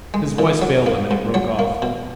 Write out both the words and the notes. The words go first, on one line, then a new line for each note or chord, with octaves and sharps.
His voice failed him, and he broke off.
G#3
A#2
F#3
A#3
G#2
F#3 C#5
A#3
B2